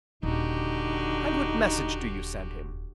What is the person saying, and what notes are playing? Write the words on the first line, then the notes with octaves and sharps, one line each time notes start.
"And what message do you send him?"
D#1 D3 D#4 F#4 G4